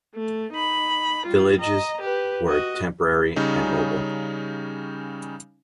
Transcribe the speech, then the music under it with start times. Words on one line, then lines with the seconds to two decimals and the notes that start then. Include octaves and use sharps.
Villages were temporary and mobile.
0.15 A3
0.54 D#4 B5
1.26 G3 F4
1.58 D#5 A#5
2.01 G4 B4
2.47 F#4 D#5
3.36 C#3 G3 C#4 D#4